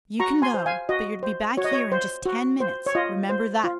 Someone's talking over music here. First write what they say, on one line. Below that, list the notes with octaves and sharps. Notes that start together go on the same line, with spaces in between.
"You can go, but you're to be back here in just ten minutes, remember that."
F#4 A#5 C#6
G#5 C6
C5
F5 G#5
F#4 D#5
C5
F#4 C#5
D#5
C#5
C5
F#4
C5
C#5
F4 D#5
C5
F4